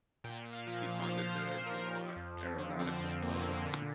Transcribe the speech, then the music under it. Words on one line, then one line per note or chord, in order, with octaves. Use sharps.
He founded the Genoa aeronautical club.
A#2 G5
A#2
F5
F3
F5
F3
A#2 C5
A#2
C5
F3
A#4
F3
F3
F2
F2
D3
F3 C4
F2
F2 A#3
D3
A#2